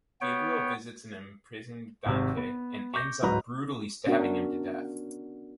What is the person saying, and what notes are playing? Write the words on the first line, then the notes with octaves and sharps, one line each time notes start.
Gabriel visits an imprisoned Dante and ends up brutally stabbing him to death.
B3 C#5 G5
G#1 C3
B3
C#6 D6 G6 A#6
D1 G#2 F#3 D#4 B4 A#5
B3 C#4 D4 F#4 A#4